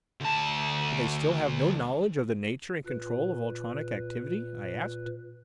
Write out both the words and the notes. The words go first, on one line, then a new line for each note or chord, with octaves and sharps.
"But they still have no knowledge of the nature and control of ultronic activity?" I asked.
D2 A5
A#2 B4